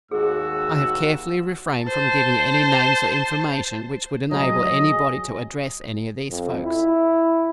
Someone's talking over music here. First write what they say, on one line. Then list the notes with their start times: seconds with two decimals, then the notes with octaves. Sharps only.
I have carefully refrained from giving any names or information which would enable anybody to address any of these folks.
0.12 D#2 G#2 F#4 G#4 E6
1.84 C5 A5
4.31 F#3 G#4 D#5
6.31 F2
6.64 E4